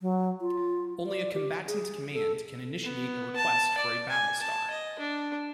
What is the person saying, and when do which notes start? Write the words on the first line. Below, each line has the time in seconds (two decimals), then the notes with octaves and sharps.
Only a Combatant Command can initiate a request for a battle star.
0.02 F#3
0.41 F4
1.06 D5
1.33 G4
1.67 G#4
2.13 A4
2.83 B3
3.36 A5
3.78 D5
4.09 G#5
4.40 A5
4.71 D#5
4.99 D4